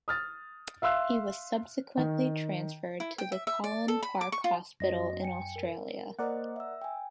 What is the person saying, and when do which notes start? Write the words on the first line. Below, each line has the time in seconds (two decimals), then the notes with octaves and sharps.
He was subsequently transferred to the Callan Park Hospital in Australia.
0.08 D#6 F6 A6
0.82 E5 F5 C6 E6 F#6
1.97 D#3
3.00 E4
3.18 G5
3.32 E5
3.47 E5
3.64 D5
3.88 A4
4.03 B5
4.21 D6
4.32 C#6
4.44 F4
4.80 F#2 F#4 D#5 A#6
5.22 G5 G#5 C#7
5.56 A#4
6.19 A#3 A#4 C5 D5 D#5 F#5
6.56 E5 E6
6.82 G5 G#5